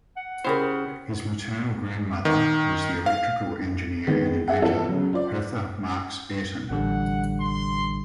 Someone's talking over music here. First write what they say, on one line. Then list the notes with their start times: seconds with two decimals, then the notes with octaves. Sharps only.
His maternal grandmother was the electrical engineer and inventor, Hertha Marks Ayrton.
0.17 F#5
0.44 C#3 E4 G4 A#4 C5
2.25 D#3
3.06 F5
4.07 D#3 G#3 B3
4.48 G#4 E5 F#5
4.62 E3 B3 F4 A4
4.89 C#3 F#3
5.13 F4 C5 D5
6.70 A1 D3 G3 F#5
7.41 C6